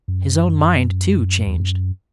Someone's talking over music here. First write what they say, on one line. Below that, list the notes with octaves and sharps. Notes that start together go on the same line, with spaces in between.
His own mind, too, changed.
F#2
E2
F#2